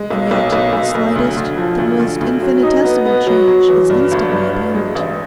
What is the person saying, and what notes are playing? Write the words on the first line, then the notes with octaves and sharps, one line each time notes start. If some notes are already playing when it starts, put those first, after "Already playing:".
And yet the slightest, the most infinitesimal change is instantly apparent.'
Already playing: G#3
B1
B1
B1
B1
B1
D2
D2
F3
D2
D2
D2
F#3
D#4
B3
B3
F#3
F#3
E3
G2
G1
G2
G2
G#3
A1